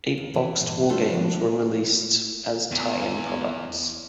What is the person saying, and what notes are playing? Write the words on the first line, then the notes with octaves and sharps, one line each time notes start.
Eight boxed wargames were released as tie-in products.
D#2
E3
G2 A#2 E3
G3 A3 B3 D4 F4 A4
F3 D4
E2